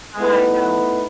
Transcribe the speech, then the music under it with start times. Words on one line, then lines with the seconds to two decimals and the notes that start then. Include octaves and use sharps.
I know.
0.19 A3 B3 D#4 E4 B4